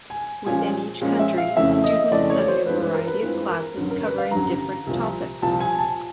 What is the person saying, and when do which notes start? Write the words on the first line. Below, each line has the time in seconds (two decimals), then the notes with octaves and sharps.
Within each country, students study a variety of classes covering different topics.
0.10 G#5
0.46 A#2 F3 G#3 C#4 G#5
1.01 A#2 F3 G#3 C#4
1.19 E5
1.38 F5
1.57 F2 C#3 E3 A3 C#4 E5
1.84 D#5
2.11 F2 C#3 E3 A3 C#4 D5
2.30 C#5
2.48 C5
2.66 G2 E3 G#3 C4 F4 B4
2.80 B4
2.94 A#4
3.07 B4
3.21 G2 E3 G#3 C4 F4 B4
3.49 A#4
3.77 A1 G2 D3 F#3
3.91 A#4
4.05 B4
4.18 F5
4.31 A1 G2 D3 F#3 A#5
4.87 C2 A#2 F3
5.42 C2 A#2 F3 A5
5.60 G#5
5.79 A5